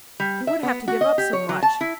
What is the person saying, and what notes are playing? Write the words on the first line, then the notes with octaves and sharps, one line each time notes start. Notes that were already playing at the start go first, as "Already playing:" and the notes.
He would have to give up so much.
G3
E5
B3
F#4
D#5
G4
C#5
F#3
A5
E4